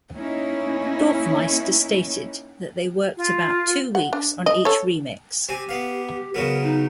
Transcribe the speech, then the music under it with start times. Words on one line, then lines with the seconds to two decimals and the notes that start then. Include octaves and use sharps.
Dorfmeister stated that they worked about two weeks on each remix.
0.15 A#3 C#4 D#4 E4
3.17 F4
3.95 F#5
4.13 D4
4.46 D#5
4.65 A4 C#5
5.49 C4 G4 G#5
5.69 B3 F5
6.34 C#3 F#3 B3 A#4
6.63 D#4